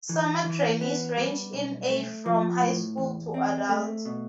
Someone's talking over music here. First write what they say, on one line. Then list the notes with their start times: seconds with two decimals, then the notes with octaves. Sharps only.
Summer trainees range in age from high school to adult.
0.09 E3
0.45 E3
0.81 B3
1.17 G3
1.53 B1
1.90 A3
2.26 F3
2.61 A2
2.98 E2
3.34 C4
3.69 A3
4.05 B2